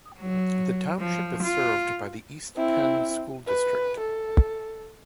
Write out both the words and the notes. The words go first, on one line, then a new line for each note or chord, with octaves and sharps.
The Township is served by the East Penn School District.
F#3
F3
F4
C4 E4
B4
A4